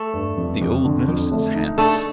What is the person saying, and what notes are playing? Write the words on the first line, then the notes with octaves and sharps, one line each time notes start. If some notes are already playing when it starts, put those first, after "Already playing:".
The old nurse's hands.
Already playing: A3 A4
G2
F2
F2
D3
F2
A3
D#4
A3 D4 A4